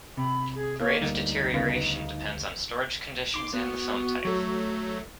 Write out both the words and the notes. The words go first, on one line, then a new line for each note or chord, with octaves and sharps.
The rate of deterioration depends on storage conditions and the film type.
C3 B5
G#4
A#3 C#5
D2 G3 D#4
C#3 B3
D#4 C6 D6
B3 F#4
F#3 A3